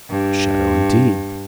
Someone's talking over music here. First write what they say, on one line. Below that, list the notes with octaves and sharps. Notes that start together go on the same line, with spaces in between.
A shadow indeed!
G2